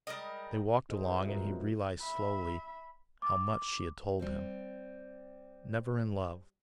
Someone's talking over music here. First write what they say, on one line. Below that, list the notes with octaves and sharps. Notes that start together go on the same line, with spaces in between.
They walked along, and he realized slowly how much she had told him... never in love....
G3 G#3 A#4 D#5
D#4 F#4 G#4 A#4 C5 D#5
G3 C#4 F4 F#4 B4 E5
B2 G#3 C#4 F4 A#4 E5
B2 D#3 F3 F#3 A#3 C4
E5 B5
D6 A6
G3 C4